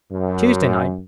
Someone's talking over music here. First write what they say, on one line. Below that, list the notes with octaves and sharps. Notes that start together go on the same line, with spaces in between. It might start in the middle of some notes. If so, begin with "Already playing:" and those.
Tuesday night?
F#2